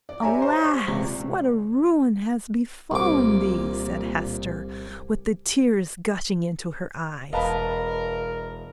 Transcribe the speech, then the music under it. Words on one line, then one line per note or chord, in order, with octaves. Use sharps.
"Alas! what a ruin has befallen thee!" said Hester, with the tears gushing into her eyes.
D5
G4 C#5 E5 G#5 A#5
C5
C#6
C#2 C3 D5
C2 A#2 D6
E1 A#4 B4 D#5 F5 A5 B5